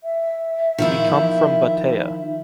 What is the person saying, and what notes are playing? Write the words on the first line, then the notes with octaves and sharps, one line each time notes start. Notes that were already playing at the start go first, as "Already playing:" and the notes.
We come from Batea.
E5
D#3 F3 E4